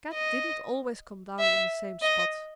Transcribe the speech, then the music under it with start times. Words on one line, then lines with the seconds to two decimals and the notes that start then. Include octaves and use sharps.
Kat didn't always come down in the same spot.
0.14 D#5
1.40 E5
2.02 D#5